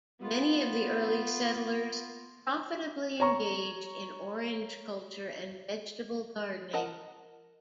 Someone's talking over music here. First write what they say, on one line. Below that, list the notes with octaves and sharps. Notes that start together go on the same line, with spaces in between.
Many of the early settlers profitably engaged in orange culture and vegetable gardening.
B3 F4
C#5 A#5 C#6
A#4 D#5 F#5 A5